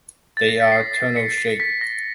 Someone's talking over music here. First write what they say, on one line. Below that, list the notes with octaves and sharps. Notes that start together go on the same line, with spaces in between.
They are tunnel-shaped.
A6
A#6
B6
C7
C7
B6 C#7
C7
B6
A#6